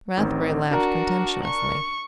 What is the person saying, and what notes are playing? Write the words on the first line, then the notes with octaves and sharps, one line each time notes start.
Rathbury laughed contemptuously.
A1 D#3 C4
D4 F#4 A#4 A#5
C#6